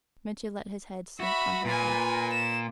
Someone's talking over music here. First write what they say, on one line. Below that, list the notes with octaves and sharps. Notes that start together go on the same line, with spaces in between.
Mitya let his head sink on her breast.
F#4 E5 B5
A#2 B4 G#5
E7